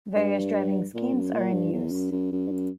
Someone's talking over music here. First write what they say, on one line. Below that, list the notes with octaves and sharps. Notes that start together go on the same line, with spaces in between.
Various driving schemes are in use.
G2
A#2
F#2
A#2
G2
E2
F#2
F#2
F#2
G2
F#2